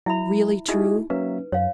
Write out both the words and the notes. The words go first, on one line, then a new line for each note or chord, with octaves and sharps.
"Really true?"
F#3 E4 E5 B5
D#4 E4 F#4 G#4 D#5
F#3 A#3 C#4 B4 E5
F#2 F#3 C#5 F5